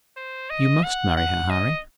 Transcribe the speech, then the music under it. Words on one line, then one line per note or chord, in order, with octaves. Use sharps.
"You must marry her, Harry."
C5
D#5
F#5
F#5
D#5